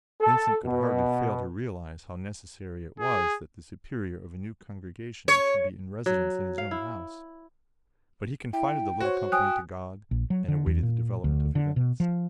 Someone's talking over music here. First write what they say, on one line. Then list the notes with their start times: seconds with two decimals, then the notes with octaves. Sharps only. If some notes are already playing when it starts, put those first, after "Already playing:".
Vincent could hardly fail to realize how necessary it was that the superior of a new Congregation should be in residence in his own house, but he confided the little company to God and awaited the development of events.
0.21 A4
0.65 B2
3.00 G#4
5.28 C#5
6.06 F#3
6.58 F5
6.71 E4
8.53 E4 G5
9.00 F#4 C5 C#5
9.32 G5 G#5 D#6 F#6
10.11 A#1
10.30 F#3
10.48 D3
10.66 E2
10.83 A#2
11.24 D2
11.55 D3
11.76 B2
12.00 F3